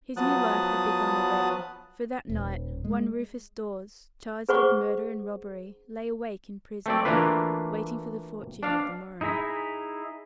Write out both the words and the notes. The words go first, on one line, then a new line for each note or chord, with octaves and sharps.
His new life had begun already: for that night one, Rufus Dawes, charged with murder and robbery, lay awake in prison, waiting for the fortune of the morrow.
F3 F#3 B3 A5 D#6 F#6
D#1
G#3
G#4 B4 C5 F#5 C#6 D6
A3 C4 D5
E3 A3 A#3 D4 F4 B4
D4 F5
D#4 E4 G#4 A#5 B5